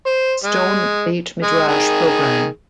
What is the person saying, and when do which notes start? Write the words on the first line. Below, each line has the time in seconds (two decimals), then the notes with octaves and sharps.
Stone Beit Midrash Program.
0.06 C5
0.44 G#3
1.44 G#3
1.68 D#3 G#4